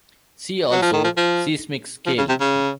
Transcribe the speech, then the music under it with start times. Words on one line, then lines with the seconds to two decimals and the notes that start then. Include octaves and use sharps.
See also seismic scale.
0.72 F#3
0.83 F3
0.93 D#3
1.04 F3
1.17 F3
2.07 F3
2.18 C#3
2.29 C3
2.40 C#3